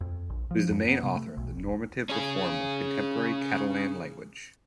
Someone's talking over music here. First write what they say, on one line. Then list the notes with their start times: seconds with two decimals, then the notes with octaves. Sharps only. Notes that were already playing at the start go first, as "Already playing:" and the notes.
He was the main author of the normative reform of contemporary Catalan language.
0.01 F2
0.30 A#1
0.51 F3
0.71 F#2
0.88 B3
1.03 C3
1.16 A3
1.37 B1
1.56 F1
2.09 C#4 G#4